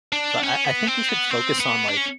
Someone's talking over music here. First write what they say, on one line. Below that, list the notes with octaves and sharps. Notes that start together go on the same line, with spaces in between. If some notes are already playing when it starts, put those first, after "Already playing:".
So I I think we should focus on, like
D4
C#4
B3
C4
B3
C4
B3
D4
C#4